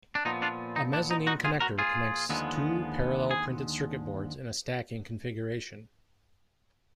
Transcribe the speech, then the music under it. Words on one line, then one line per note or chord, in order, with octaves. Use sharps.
A mezzanine connector connects two parallel printed circuit boards in a stacking configuration.
D4
A#2 F3 B3 D#4
D4 F4
D#4
D4
D#4
D#4 F#4
F4 G#4
F#4 A#4
F4 G#4
D#2 D3 F3 G#3 B3
G#4